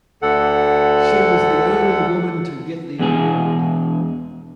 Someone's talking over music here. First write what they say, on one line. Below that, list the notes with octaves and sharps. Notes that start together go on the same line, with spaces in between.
She was the only woman to get the award.
D2 D3 A4 F#5
E2 B2 G#4